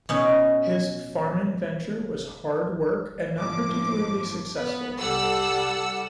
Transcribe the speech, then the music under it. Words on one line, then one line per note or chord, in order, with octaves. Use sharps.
His farming venture was hard work and not particularly successful.
B2 C#4 D#4
G1 A2 F3 D6
B3 B4
C2 G3 A4 F#5 E6